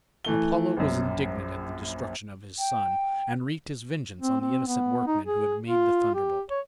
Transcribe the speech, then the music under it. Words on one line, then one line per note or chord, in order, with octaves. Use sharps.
Apollo was indignant at the destruction of his son, and wreaked his vengeance on the innocent workmen who had made the thunderbolt.
E3 A3 G7
A#1 F#2
G5
C4
C4
B3
D#4
G#4
F4
G4
C#5